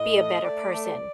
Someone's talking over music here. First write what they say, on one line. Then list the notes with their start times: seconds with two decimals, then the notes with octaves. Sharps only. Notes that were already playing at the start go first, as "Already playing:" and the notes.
be a better person.
Already playing: A2 D#5
0.17 A3
0.44 A3 D5
0.72 A3
0.85 D5